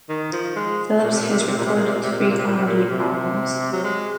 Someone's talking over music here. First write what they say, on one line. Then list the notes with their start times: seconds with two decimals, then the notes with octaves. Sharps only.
Philips has recorded three comedy albums.
0.09 D#3
0.33 F3
0.56 G#3
1.03 A#2
1.12 C3
1.21 A#2
1.30 C3
1.39 A#2
1.48 C3
1.57 A#2
1.66 C3
1.75 A#2
1.84 C3
1.93 A#2
2.02 C3
2.11 A#2
2.20 C3
2.30 A#2
2.38 C3
2.47 A#2
2.57 C3
2.65 A#2
2.91 C3
3.72 F#3
3.84 G#3